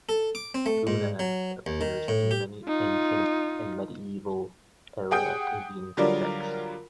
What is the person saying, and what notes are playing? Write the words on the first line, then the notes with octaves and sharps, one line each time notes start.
"Guna" appears in many ancient and medieval era Indian texts.
A4
D6
C4
A3
G#2
F#3
D#2
D#3
A2
G4
D#4 F4
G4 G#4 F#5 G5 D#6 G6
D3 F#3 G3 F4 A#4 D5